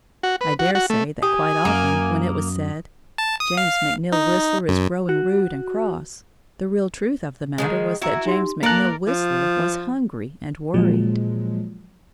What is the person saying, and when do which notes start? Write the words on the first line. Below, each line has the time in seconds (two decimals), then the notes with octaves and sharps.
I dare say that quite often when it was said: "James McNeill Whistler is growing rude and cross," the real truth of the matter was that James McNeill Whistler was hungry and worried.
0.23 F#4
0.41 B4
0.59 F#4
0.75 F#4
0.90 A3
1.23 G4 G#5 D#6
1.65 F#2 A#3
3.18 A5
3.40 D#6
3.57 F5
4.12 D#4
4.68 F#2
5.09 F#4
7.58 D#3 F3 G#3
8.02 E4 F#4 E5 A#5 E6
8.25 D#4 G4 C6
8.63 A#3 A4 A#4 D5 A#5 F#6 A#6 F7
9.08 F3
10.74 A#2 F3 F#3 G#3